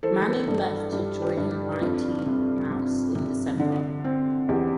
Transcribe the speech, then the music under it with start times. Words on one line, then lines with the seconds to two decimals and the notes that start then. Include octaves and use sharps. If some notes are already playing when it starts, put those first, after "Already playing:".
Manning left to join Mighty Mouse in December.
0.03 E3 A4 C5
0.48 G2
0.92 G2 G4
1.22 G4 B4
1.37 G2
1.51 G4
1.81 F2 F4
2.26 C3
2.70 C3
3.15 C3
3.60 D3
4.04 C4
4.49 E2 G4